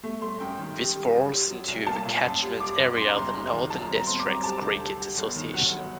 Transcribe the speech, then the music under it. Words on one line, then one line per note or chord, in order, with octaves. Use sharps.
This falls into the catchment area of the Northern Districts Cricket Association.
A3
A3 C6
F#2 G5
D#3
G3
G3
F#2
G3
F#3
C2
A#3 A5
A#2
F#2
G3
G3 D6
F#2
F#2 C6
A#5
F#1 C6
F#2
D#3
F#3 A5
A#5
C4
A#5
C4 C6
D6
F#3 A#5
G3 A5
D2
G3
G3
G1
D#3
F#3 F#5
G1